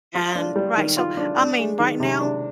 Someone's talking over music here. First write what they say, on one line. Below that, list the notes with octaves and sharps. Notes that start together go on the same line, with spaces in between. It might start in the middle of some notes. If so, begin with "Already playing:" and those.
And right, so, I mean, right now,
F4
D4
G3
D#3
F4
D4
D4
G#3
D#3
C3
D4